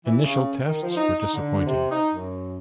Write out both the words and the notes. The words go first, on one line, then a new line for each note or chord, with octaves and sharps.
Initial tests were disappointing.
E3
C#3
D#3
F3
D#4
D#4
D3
C3
D#4
F#2